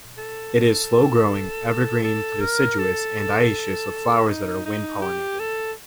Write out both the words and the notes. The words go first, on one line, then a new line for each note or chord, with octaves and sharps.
It is slow-growing, evergreen to deciduous, and dioecious, with flowers that are wind-pollinated.
A4
A4
A4
A#4
A4
D#4
D#4
G4
A4